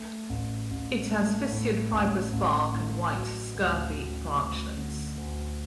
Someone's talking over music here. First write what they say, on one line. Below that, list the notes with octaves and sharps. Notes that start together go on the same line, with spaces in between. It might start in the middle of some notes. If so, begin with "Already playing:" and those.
It has fissured fibrous bark and white scurfy branchlets.
Already playing: A3
A1
A1
A3
A2
A1
A1
A2
F#3
D2
D2
D2
D3
D2